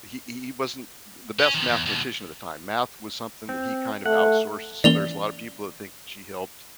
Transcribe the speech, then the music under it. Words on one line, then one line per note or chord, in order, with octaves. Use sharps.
he he he wasn't th the best mathematician at the time, math was something that he kind of outsourced, and so there's a lot of people that think she helped
C#4
D#3 F3
E2
D#2 B2
C4
A3 F#5
E3 A#3 C#4 D5 F7 G7